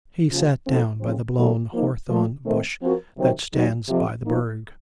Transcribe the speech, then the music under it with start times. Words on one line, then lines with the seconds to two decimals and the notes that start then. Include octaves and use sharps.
He sat down by the blown hawthorn bush that stands by the burgh.
0.30 D#2 C#3 F3
0.65 F3 A3 C4 D#4 A4
1.01 D#2 C#3 F3 C4
1.37 C3 D#3 F#3 A3
1.73 F3 A#3 D#4
2.09 A#2 F3 A3
2.45 D#3 A3 C4
2.81 F3 C4 F#4 A#4
3.17 C3 D#3 F#3 C4
3.52 D#2 D#3 F#3
3.89 F2 C3 F3
4.24 F3 A#3 D#4